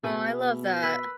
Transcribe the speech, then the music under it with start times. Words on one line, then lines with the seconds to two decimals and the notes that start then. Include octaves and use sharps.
Oh, I love that.
0.03 B2 G#4 B4 E5
0.83 B4 B5 E6 B6